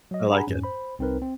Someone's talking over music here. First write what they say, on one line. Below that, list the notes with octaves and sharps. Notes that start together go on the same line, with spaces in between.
I like it.
F#3 D#5
D4 G#4 F#5 G#5 A#5 B5
F2 G#2 C#4
C5 B5
C2 C4 D#4 A#4 B4
C4